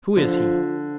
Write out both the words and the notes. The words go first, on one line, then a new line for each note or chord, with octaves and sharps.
Who is he?'
D3 F3